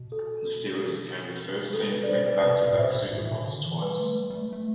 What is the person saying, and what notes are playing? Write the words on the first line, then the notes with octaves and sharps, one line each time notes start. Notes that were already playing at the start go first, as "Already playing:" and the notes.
The Steelers became the first team to win back-to-back Super Bowls twice.
Already playing: B2
A4
A4
B4
D5
C5
B4 D5
C3 B4 D5
C3 B4 D5
A2
B2 C5 E5
B2
A2
B2
D3
E3
G3 B4
A3
G3
G3
A3
A3